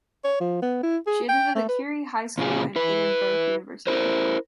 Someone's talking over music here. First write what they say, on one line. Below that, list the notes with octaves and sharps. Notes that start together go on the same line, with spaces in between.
She attended Currie High School and Edinburgh University.
C#5
F3
B3
E4
G#4
G5
A3
B4
A#2 C#3 F4 G#4
E4 B4
E4 A#4 C5